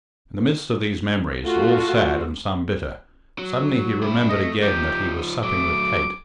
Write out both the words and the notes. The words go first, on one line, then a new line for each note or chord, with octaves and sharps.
In the midst of these memories, all sad and some bitter, suddenly he remembered again that he was supping with Kate.
A3 F4 F#4
F#3
G2 E4
A3 D#5
F3 D#4 G4
F#3 A3 D6